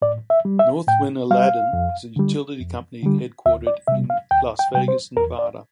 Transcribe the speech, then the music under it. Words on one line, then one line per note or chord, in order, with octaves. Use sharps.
Northwind Aladdin is a utility company headquartered in Las Vegas, Nevada.
A2 D5
E5
G3
E5
A2 G5
G3 F5
F2
D3 G3
F2
D3 G3
D2 E5
D5
C3 G3 E5
F5
D2 G5
G5
C3 G3 G5
C5
E2 A#4
D5